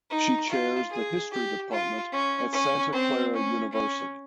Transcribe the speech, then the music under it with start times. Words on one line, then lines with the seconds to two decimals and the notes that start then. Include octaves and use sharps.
She chairs the history department at Santa Clara University.
0.10 D#4
0.50 F4
0.90 G#4
1.31 G4
1.71 F4
2.12 C#4
2.52 C#4
2.93 C4
3.33 C#4
3.73 C#4